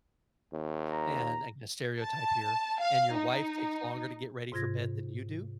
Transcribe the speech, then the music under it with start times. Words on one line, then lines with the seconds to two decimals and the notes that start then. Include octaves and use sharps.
and I can just stereotype here, and your wife takes longer to get ready for bed than you do?
0.53 D#2
0.92 A#5
2.00 A5
2.81 F5
3.14 D#4
4.52 G#2 C3 F4 G#6 A#6